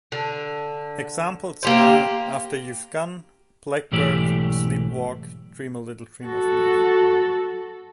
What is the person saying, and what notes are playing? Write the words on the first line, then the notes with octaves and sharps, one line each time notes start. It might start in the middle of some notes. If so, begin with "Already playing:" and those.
Examples are 'After You've Gone', 'Blackbird', 'Sleep Walk', 'Dream A Little Dream Of Me'.
D3
A#3 G4 C5
B1 G#2 E3 A3 G4 D5
F#4 A4